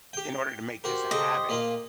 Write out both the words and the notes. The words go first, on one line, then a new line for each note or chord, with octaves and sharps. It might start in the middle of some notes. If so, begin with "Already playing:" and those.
in order to make this a habit.
G4 G5
F#4 G4 A#4 C5
C#3 A4 D#5
A#2 A#3 F4